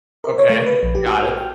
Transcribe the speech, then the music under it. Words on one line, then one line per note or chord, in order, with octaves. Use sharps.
Okay, got it.
A#4
C#5
A3
B4
A#1
G4
F#4
F6
G5